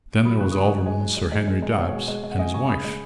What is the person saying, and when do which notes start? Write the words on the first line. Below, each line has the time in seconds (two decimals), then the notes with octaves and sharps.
Then there was Alderman Sir Henry Dabbs and his wife.
0.25 F#3 B5 D#6
0.40 C#3 C#6 F#6
0.51 D#6
0.56 C#3 G#5 C#6
0.71 F#3
0.86 G#3 D#5 G#5
1.01 G#3
1.17 G#3
1.32 G#3
1.48 G#3
1.62 G#3
1.78 B2 C#5 F#5
1.93 G#3
2.08 G#3
2.24 G#3
2.31 F#5
2.39 G#3 D#5 G#5
2.54 C#3 G#5 C#6
2.69 C#3 B5 D#6
2.84 G#3